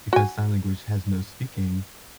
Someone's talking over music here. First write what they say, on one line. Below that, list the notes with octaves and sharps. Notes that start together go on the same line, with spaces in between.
because sign language has no speaking,
F#4 G#5